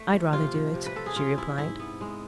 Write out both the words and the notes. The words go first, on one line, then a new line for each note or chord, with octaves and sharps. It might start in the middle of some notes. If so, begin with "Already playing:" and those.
"I'd rather do it," she replied.
Already playing: A3
F3
C3 F4
F3
C3
B4
F3 A4
G#4
C3 F4
C3 E4
G#2 E4
B3
G#3